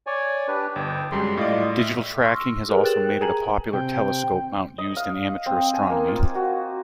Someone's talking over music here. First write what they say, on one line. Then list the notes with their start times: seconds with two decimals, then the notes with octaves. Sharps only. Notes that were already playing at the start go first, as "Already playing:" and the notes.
Digital tracking has also made it a popular telescope mount used in amateur astronomy.
0.07 C#5 D5 G#5
0.48 D4 G4 B4
0.76 G1 G5
1.12 F#2 G3 G#3 C6
1.37 A2 F4 D5 D#5
1.79 E5 F6
2.23 C6 C#6 E6 F6 A#6
2.69 G4 G#4 A#4 B4 C#5 G5
2.84 G5 F#6 A6 E7 F#7
3.21 G#4 G#5 A#5 G#6 F#7
3.73 C3 G5
4.78 D#5
4.97 F5
5.46 C4
5.74 G#5
5.90 A#3
6.08 F4
6.35 F#4